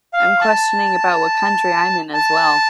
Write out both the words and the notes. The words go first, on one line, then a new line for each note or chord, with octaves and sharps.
I'm questioning about what country I'm in as well.
F5
A5
A5